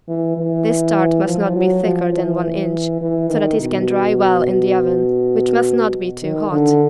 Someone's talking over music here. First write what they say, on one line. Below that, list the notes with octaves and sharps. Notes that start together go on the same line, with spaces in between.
This tart must not be thicker than one inch, so that it can dry well in the oven, which must not be too hot.
E3
E3
F3
F#3
F3
E3
E3
D#3
B2
D#3
D3